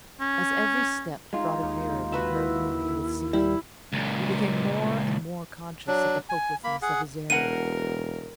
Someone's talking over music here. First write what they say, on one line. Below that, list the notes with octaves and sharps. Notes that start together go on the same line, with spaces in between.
As every step brought him nearer to her whom he was seeking, he became more and more conscious of the hopelessness of his errand.
C#4
G#3 D#4 F4
D#2
F#4 B4 E5
E4
G3 E4
C#2 A#2
F#3 D4
G#5
A#3 B5
G#4 F#5
E1 B2 A#4 F#5 D#7